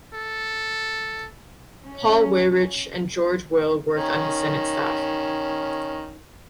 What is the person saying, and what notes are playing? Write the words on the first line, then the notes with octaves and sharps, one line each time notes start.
Paul Weyrich and George Will worked on his Senate staff.
A4
C#4
D#3 C#4